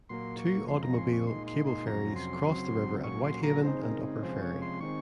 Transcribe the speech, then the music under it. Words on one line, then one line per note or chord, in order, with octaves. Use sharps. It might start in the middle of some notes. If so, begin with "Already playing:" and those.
Two automobile cable ferries cross the river at Whitehaven and Upper Ferry.
A#2 F#3 A#3 C6
C#6
F2 C#3 F3 G#3 C4 C6
A#5
C#6
C6
C#6
A#2 G#3 D#4 C6
C6
C6
F2 C3 F#3 C#4 A#5
C6
F#2 C#3 F#3 C4
A#2 F#3 C#4 C#6
C6
A#5
C#3 G#3 C4 D#4 C5
A#4
C3 F3 G#3 C#4 C5
C#5
C6
D#3 G#3 C4 C#6